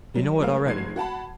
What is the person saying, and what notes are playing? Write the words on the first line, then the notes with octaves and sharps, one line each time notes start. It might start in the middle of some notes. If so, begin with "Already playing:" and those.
You know it already.
F#3 G3
F#3 G#3 A3 A#4 C5 F5
F1 G#2 G#6 C7
F#4 F#5 A5 B5